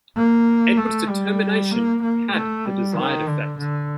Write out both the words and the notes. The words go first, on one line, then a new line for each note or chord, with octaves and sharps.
Edward's determination had the desired effect.
A#3
A3
G3
A#3
A#3
A3
G3
D#3
D3
D3